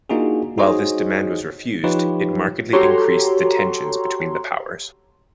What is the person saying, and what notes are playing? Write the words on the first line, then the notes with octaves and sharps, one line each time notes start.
While this demand was refused, it markedly increased the tensions between the powers.
A#3 D4 D#4 F4 F#4 G#4
D#4 F#4 G#4 C5 C#5 D#5
F3 D#4 F4 G4 B4 C#5
F#4 G4 A4 C#5 A#5 C6